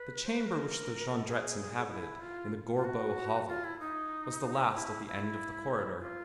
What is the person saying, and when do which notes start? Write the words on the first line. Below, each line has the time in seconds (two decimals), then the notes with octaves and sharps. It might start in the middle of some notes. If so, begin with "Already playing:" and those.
The chamber which the Jondrettes inhabited in the Gorbeau hovel was the last at the end of the corridor.
Already playing: B4
0.26 C5
0.37 B4
0.48 A#4
1.16 A4
1.27 G#4
1.91 E4
2.21 F4
2.76 F4
2.85 F#4
3.48 F4
3.64 E4
3.80 D#4
4.75 E4
5.06 E4
6.00 F4